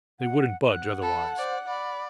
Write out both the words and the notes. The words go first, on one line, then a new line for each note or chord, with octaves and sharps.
They wouldn't budge otherwise.
F#5
F#5 F#6
A4 B5
C5 D5
D5 B5